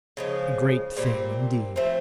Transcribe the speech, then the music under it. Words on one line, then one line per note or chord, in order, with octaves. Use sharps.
A great thing, indeed.
C#3 F3 G#3
A#2 G3 C4
F3 A3 C4